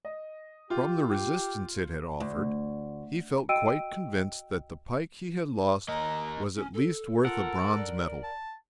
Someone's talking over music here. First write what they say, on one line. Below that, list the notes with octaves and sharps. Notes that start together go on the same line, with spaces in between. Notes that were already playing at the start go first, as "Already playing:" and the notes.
From the resistance it had offered he felt quite convinced that the pike he had lost was at least worth a bronze medal.
D#5
F4 G4
G4
D2
F#4 D#5 G5 E6 D7 D#7
A#3 D#5 A#5
C#4
A4
F4 A4 A#4 F#5
B5
D5
A5